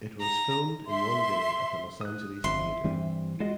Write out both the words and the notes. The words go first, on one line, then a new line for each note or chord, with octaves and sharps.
It was filmed in one day at the Los Angeles Theatre.
A#5
E5 C6
D#6 F#6
G1 F2 E5 C6
G2 E3 G3 C4
G#3 F4 F#4 D#5